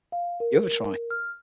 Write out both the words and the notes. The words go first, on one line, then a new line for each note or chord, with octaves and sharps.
You have a try.
F5
A#4
F6